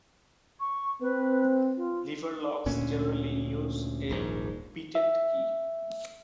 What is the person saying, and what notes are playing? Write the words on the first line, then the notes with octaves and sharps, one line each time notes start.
Lever locks generally use a bitted key.
C#6
C4 B4
F4
D2 A#2 C#4
D#1 A#1 G#2
E5